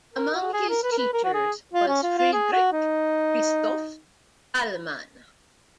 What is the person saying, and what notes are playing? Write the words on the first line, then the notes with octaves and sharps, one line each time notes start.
Among his teachers was Friedrich Christoph Dahlmann.
A#4
F#4
G#4
A#4
B4
A#4
B4
A#4
F#4
G#4
F4
C#4
F4
F4
G#4
F#4
D#4